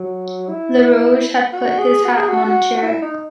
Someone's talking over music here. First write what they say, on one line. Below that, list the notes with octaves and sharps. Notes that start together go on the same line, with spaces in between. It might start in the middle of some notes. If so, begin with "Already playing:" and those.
Lerouge had put his hat on a chair.
Already playing: F#3
E4
F#4
G#4
F#4
G#4
F#4
F#4
F#4
E4
D#4